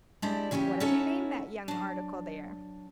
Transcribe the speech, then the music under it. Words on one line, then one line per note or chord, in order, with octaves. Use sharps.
"What have you named that young article there?"
G#3 D4 E4 G4 C5 D5
C#3 E3 C#4 F4 G4
C#4 D#4 E4 F#4 A4 C#5
F#3 D4